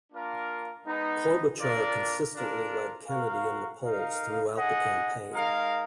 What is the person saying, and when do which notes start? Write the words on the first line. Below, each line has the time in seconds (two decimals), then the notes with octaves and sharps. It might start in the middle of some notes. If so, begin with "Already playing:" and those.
Klobuchar consistently led Kennedy in the polls throughout the campaign.
0.12 A#3 D4 F4 A#4 F5
0.85 G#3 B3 D#4
1.59 D4 F4 A#4 D5
2.34 D4 F4 A#4
3.07 F#4 A#4 F5
3.82 D#4 A#4 F5
4.56 D#4 G#4 D#5 F#5
5.30 G#3 D#4 A#4 F5